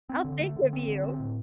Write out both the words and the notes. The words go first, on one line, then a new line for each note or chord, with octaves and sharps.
I'll think of you.
C4
D3
A3
D3
C4
D3
C4
A2